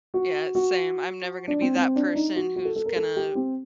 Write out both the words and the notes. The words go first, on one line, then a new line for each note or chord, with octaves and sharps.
Yeah, same. I'm never gonna be that person who's gonna,
F#4
F#4
D4
C4
C4
D4
D#4
F#4
F#4
A4
A4
A#4
A4
G4
C4